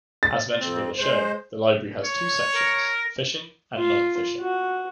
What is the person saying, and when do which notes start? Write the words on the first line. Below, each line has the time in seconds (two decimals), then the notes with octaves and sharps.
As mentioned in the show, the library has two sections, fishing and non-fishing.
0.23 A6
0.59 F2 C4
0.98 G#3 C5
2.04 C#5
2.55 A#4
3.78 F4
4.40 F#4